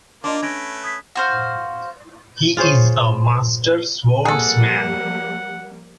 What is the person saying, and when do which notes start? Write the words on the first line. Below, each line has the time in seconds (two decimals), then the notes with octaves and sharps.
He is a master swordsman.
0.24 A#3 D4 F4 D#5 C6 D6
0.42 A3 C#4 B4 G#6 A#6 D7
0.84 D#6 G#6 B6
1.16 F#4 C5 F5
2.57 F4 G#4 C5 C#5
4.25 F3 G3 A#3 G#4 A4 F#5